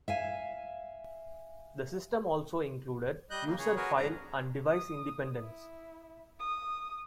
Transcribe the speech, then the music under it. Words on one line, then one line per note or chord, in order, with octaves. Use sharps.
The system also included User file and Device independence.
E5 F5 G#5
G3 D#5 F#6 G6
C#3 A#3
C#3 G#4 C#5
F#4 G#4 A#4 B4 C#5
F2 G#2 D4 A#5
D#6
E4
D#6